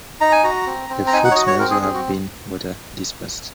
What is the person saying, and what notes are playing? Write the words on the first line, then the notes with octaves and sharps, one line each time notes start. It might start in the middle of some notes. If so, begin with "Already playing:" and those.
The fruits may also have been water dispersed.
D#4 A#5
G#5
F#4 A#5
C4
C4
A#5
D#4 G#5
F#5
C#5
F#4 D#5
C#5
C4 A#4
G#4
C4 G#4
F#4